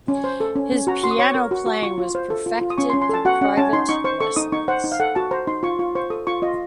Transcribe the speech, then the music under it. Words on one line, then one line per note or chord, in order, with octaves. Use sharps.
His piano playing was perfected through private lessons.
C#4
C5
A4
C#4
C#4
F#4 A#5
F#4 C6
D#6
C#5 C#6
A#4
F#4
F#4
F4 C#6
F4
C5
A4
F4
F4
D#6
C#4 C#6
C6
C#4
C6
A4 A5
F#4 F#5
C#4 F#5
C#4 A5
D#4 C6
D#4 C#6
C5 C#6
A4 C#6
D#4 D#6
D#4 C#6
C5 F#5
D#4
F5
A4 F#5
F#4 A5
C5 A#5
D#4 C6
F4 C#6
F4 C#6
C5 C#6
A4 D#6
F4 C#6
F4 D#5